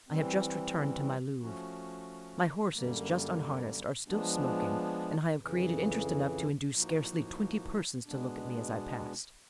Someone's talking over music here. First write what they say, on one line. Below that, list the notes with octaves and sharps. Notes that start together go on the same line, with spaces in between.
I have just returned to my Louvre; my horses, just unharnessed, are still smoking, and I have created interest enough to induce scarcely twenty persons to look at me as I passed.
E3 G3 C4
F3 A3 C#4 F#4
F#2 D3 G3 A#3
F3 G#3 B3 D4
F2 C#3 E3
A2 F3 A#3 D#4 F#4
B2 G#3 B3 D4